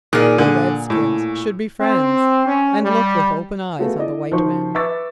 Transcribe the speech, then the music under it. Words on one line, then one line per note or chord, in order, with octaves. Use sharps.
The red-skins should be friends, and look with open eyes on the white men.
A#2 D#3 G#4
D3
A2
C4
C#4
G3
A3 B3 F4 F#4 G#4
E4 D5 D#5
D#3 F3 D#4 F#4 C5 C#6
B4 E5 C#6 D6 E6 A6